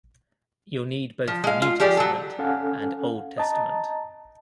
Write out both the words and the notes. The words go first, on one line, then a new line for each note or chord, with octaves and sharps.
You’ll need both the New Testament and Old Testament.
F3
G#3 F5
F4
F3 G4 G#4 D5
F#3 A4
C#4 A4 F5 F#5 G#5
D#5 A5 A#5